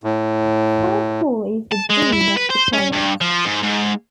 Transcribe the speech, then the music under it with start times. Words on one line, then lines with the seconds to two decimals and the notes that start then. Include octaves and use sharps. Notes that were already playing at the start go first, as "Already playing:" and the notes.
Frank Hall is the dean of the college.
0.04 A2
1.72 A5
1.90 G#3
2.13 E4
2.37 B4
2.50 C5
2.73 C#4
2.93 G2
3.21 F3
3.45 G#2
3.63 G#2